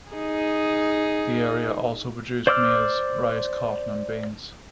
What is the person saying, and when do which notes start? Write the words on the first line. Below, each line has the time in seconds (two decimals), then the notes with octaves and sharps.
The area also produced maize, rice, cotton, and beans.
0.11 D#4 G#4
2.47 C5 D5 D6 E6 F6